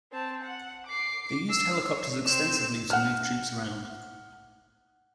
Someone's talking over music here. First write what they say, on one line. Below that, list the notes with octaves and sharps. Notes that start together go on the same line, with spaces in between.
They used helicopters extensively to move troops around.
C4 A5
F#5
D6 C7
E6 C7
C#5
C4 E7
F#5 F6